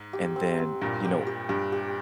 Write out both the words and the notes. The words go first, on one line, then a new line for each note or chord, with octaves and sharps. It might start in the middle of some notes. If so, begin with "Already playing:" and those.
And then, you know,
Already playing: G#2
G4
C4
C4
G2 A#2 G4
G4
G4
G2 G4
G4